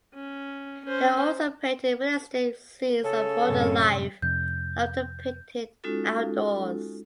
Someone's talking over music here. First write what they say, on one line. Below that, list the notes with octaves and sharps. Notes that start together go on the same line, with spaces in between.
They also painted realistic scenes of modern life, and often painted outdoors.
C#4
C#4 C5
C#3 C#4 A4
F#2 A2 C3
F2 C3 G6
G#3 C#4 D#4 F4 F#4 A4